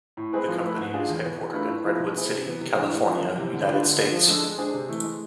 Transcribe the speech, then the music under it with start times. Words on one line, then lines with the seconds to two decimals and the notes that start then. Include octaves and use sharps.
The company is headquartered in Redwood City, California, United States.
0.17 A2
0.33 G#3 C4 G#4 B4
0.48 F3
0.63 A3 E4 B4
0.78 G#2
0.93 G#3 D4 F4 G#4
1.09 E2
1.24 B2 B3
1.38 E3
1.54 A3 D4 F4 B4
1.69 A2
1.84 F3 B3 E4
1.99 B2
2.15 B3 E4 G#4 C5
2.30 C3
2.46 E3 B3
2.61 C3
2.76 E3 G#3 D4
2.91 A2
3.06 F3 B3
3.21 F2
3.37 C3 E3
3.52 D3
3.68 G#3 D4 F4 B4
3.83 D3
3.97 G#3 D4
4.12 F3
4.27 G#3 D4 A4
4.44 G#3
4.58 D4 G#4 C5
4.74 C3
4.89 E3 A3
5.03 G#3